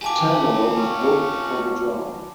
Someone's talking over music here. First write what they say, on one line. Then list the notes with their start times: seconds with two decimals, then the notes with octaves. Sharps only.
Tamara was booked for the job.
0.02 F4 G4 G#5 A5 D6
0.75 C#4